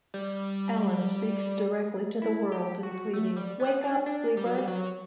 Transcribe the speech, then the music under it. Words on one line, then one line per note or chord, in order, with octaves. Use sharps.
Allan speaks directly to the world in pleading Wake up, sleeper!
G3
E4
G4
F#4
A3
G3
B3
D4
D4
G3
F#3
G3
F#3